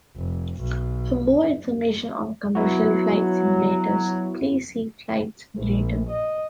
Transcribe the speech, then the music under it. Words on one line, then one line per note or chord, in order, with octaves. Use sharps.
For more information on commercial flight simulators please see Flight Simulator.
F1
B1
F#3 B3 E4 F#4
A#1
D#5